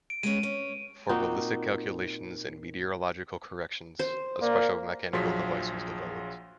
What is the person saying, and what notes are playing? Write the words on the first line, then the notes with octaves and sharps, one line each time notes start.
For ballistic calculations and meteorological corrections a special mechanical device was developed.
D7
G#3 B3 C#4 D#7
C#4
A#2 C4 D#4 F#4
C5
A#3 D5
A#1 F3 F#3 G#4 C6 B6